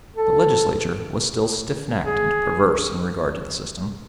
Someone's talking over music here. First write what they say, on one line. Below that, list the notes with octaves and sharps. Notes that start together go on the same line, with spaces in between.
The Legislature was still stiff-necked and perverse in regard to the system.
A4
G#4